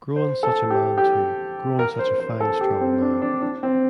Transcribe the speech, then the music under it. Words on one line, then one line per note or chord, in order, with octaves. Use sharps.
Grown such a man too, grown such a fine strong man.
C5
A4
G4
G4
A#4
C5
C5
A4
G4
C4
D4
D4
D4
C4